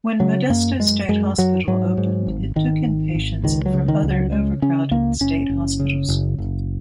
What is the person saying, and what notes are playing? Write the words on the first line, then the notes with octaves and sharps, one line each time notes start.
When Modesto State Hospital opened it took in patients from other overcrowded State Hospitals.
C#3 F#3
F#2 A#3
F#2 G#3
F#2 G#3
F#2 F#3
G#2 F#3
G#2
G#1
G#1 D#3
G#1
G#1
C#2 D#3
F#3
C#3
D#3
C#2
F#3
C#3 G#3
C#3 C#4
C#2 A#3
F#1 C#4
F#1
C#3
F#1
F#1